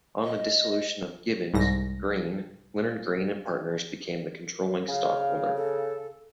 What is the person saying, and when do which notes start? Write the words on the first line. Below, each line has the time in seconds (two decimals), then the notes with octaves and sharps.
On the dissolution of Gibbons, Green; Leonard Green and Partners became the controlling stockholder.
0.24 D#5
1.54 C2 G#2 A#6
4.88 C#3 F5
5.55 A4